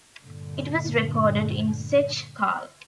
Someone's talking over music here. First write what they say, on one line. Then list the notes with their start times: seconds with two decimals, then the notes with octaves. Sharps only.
It was recorded in Zeche Carl.
0.21 G2 A#2 D3